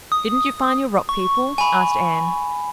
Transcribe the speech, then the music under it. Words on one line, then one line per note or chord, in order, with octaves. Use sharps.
"Didn't you find your Rock People?" asked Anne.
D#6
C#6
G#5 B5